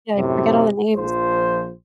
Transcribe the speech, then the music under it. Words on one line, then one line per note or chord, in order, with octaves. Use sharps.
Yeah, I forget all the names.
F#2 A2 C3
A#1 F3 C5